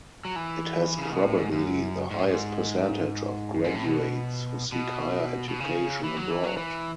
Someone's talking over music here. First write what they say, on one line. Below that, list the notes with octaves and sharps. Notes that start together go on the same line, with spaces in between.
It has probably the highest percentage of graduates who seek higher education abroad.
F#3
E3
C#3
B2
A2
G#2
F#2
G#2
A2
G#2
F#2
G#2
A2
B2
B2
B2
C#3
E3
F#3
E3
F#3
E3